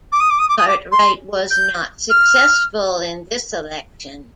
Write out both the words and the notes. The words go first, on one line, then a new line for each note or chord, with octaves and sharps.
Cartwright was not successful in this election.
D6
D#6
D6
D#6
D6
D#6
D6
C6
G6
F6